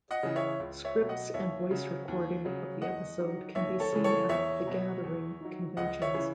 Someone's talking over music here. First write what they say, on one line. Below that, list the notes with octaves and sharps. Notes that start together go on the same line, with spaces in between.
Scripts and voice recording of the episode can be seen at The Gathering conventions.
D#5 F#5
C#3 E3
C#5 E5
C#2
C#5 E5
B2 F#3
D#5 F#5
D#2 C#5 E5
C#3 F#3
D#2
C#3 F#3
E2 D#5 F#5
D#3 F#3
D#2 C#5 E5
A4 C#5
C#3 E3
A4 C#5
E2 C#5 E5
B2 F#3
E2
D#3 F#3
C#2 D#5 F#5
C#5 E5
C#3 E3